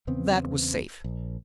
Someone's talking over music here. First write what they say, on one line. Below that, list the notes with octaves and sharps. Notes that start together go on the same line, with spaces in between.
That was safe.
E2 C#3 B3 C4
A#1